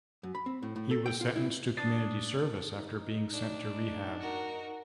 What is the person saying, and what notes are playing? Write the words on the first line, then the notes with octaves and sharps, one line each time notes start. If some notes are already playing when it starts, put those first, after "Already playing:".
He was sentenced to community service after being sent to rehab.
F#2
B5
C4
A2
A2
A4
G5
F4
E4
D4 D#6 A6 C7
D#4
D4
F#4 A#4